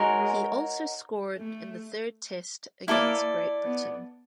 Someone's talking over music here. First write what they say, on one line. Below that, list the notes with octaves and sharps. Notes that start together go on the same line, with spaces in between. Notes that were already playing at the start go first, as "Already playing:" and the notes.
He also scored in the third test against Great Britain.
Already playing: G#3 D#4 F#4 A#4 C#5
A3
A#3 E4 A4 D5
B3